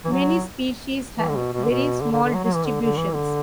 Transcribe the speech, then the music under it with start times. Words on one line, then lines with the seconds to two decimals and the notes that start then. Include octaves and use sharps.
Many species have very small distributions.
0.05 E3
0.08 F#3
1.18 E3
1.28 D3
1.37 B2
1.53 B2
1.64 D3
1.70 B2
2.02 D3
2.12 D3
2.23 D3
2.33 F#3
2.44 F#3
2.55 E3
2.65 D3
2.81 D3
2.97 E3
3.14 D3